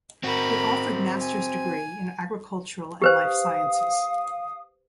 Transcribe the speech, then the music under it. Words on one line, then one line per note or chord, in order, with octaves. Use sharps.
It offered master's degree in agricultural- and life sciences.
C4 F#4 A#4 B5
G#5
G4 B4 C5 F5 D#6